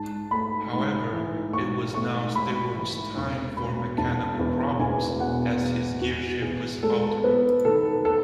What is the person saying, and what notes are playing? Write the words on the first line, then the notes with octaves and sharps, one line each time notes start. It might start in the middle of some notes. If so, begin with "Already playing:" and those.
However, it was now Stewart's time for mechanical problems as his gearshift was faltering.
Already playing: G#2 A5
A3 B5
G#2
E3
G#2 C#6
A3 C#6
G#2 B5
E3
E1 C#6
B2 B5
E1 A5
E2
E1 G#5
B2 F#5
E1
E2 F#4
E2 G#4
G#3 A4
B3 B4
D#3 A4
A4